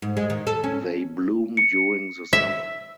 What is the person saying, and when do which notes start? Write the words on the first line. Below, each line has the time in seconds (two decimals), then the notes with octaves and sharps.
They bloom during the summer.
0.02 G#2
0.17 G#3
0.30 D#3
0.47 A4
0.64 C#4
1.57 C#7
2.33 E5